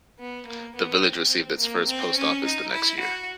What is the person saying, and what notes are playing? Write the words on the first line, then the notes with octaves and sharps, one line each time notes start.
The village received its first post office the next year.
B3
A#3
B3
C4
A#3
C4
C#4
D#4
E4
F#4